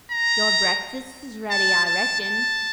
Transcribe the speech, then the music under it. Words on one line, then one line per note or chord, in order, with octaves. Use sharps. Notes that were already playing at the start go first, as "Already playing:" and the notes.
Your breakfast's ready, I reckon.
A#5
A5
A5
A5